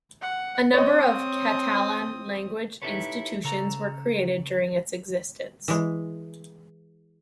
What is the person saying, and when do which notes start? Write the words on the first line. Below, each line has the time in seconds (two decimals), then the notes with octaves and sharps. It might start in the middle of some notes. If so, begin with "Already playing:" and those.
A number of Catalan-language institutions were created during its existence.
0.21 F#5
0.73 C4 C#5 D#5 D#6
2.82 D#4 E4 G4 A4 B4 C#5
3.44 C#3 A4 A#5
5.68 E3 G#3